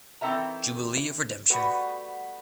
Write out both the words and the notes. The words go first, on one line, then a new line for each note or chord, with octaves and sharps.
Jubilee of Redemption.
D#3 E3 C4 A4 E5 A#5
G3 A3 B3 F#4 B4